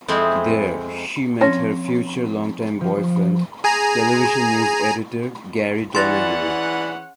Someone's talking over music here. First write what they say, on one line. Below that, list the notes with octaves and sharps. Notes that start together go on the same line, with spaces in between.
There, she met her future longtime boyfriend, television news editor Gary Donahue.
F2 G#3 C4 E4
F3 C4 C#4 C#5 A5 A#6
F3
G#4 G#5 A#5
E3 C#4 G#4 D5 F#5 C6 A6 A#6